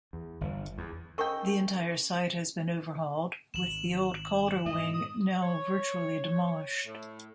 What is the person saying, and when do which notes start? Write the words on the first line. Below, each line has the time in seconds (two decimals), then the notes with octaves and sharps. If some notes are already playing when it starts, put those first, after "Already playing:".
The entire site has been overhauled, with the old Calder Wing now virtually demolished.
0.13 E2
0.41 G1
0.78 E2
1.18 C#3 A#4 D#5 G5 C#6
3.54 G#1 E7 F#7
4.65 G#2 B2 D#3 D#5
4.94 D#6
5.42 C#5
6.86 A2